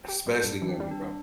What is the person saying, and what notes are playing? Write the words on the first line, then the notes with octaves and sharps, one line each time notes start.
Especially women, bro.
G4
G3
G2 D4
E3
C4
G3
D4